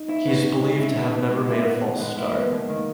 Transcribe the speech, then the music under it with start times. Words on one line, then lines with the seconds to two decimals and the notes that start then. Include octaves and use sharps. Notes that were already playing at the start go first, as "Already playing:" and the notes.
He is believed to have never made a false start.
Already playing: D#4
0.09 E4
0.26 B3 C#4
0.44 B2
0.61 G#3
0.79 E4
0.96 B3
1.13 B2
1.30 G#3
1.48 E4
1.65 B3
1.83 B2
1.99 G#3 B3
2.17 A#3 E4
2.34 G#3 B3
2.52 B2 G#3
2.69 D#3 A#3